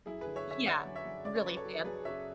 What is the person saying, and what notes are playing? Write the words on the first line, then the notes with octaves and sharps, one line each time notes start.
Yeah. Really fancy.
F#2 E4 G#4
D3 G#4 B4
C#5 E5
D3 C#5 E5
D3 D5 F#5
F#2
C#5 E5
F#2
C#3 D5
C#5
F#3 B4
A4 C#5
F#3
F#2 G#4 B4
C#3 C#5 E5